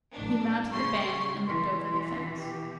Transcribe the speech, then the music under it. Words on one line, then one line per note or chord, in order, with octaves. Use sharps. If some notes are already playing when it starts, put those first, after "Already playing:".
He mounted the bank and looked over the fence.
A1 F#3 D4
C#3 G3 C6 C#6
B2 E3 C6
G4